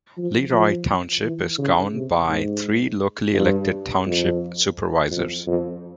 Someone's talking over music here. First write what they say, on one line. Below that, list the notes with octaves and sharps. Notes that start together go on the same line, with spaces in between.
Leroy Township is governed by three locally elected Township Supervisors.
F3
F3
E3
C#3
C3
G#2
G2
F2
F2
F2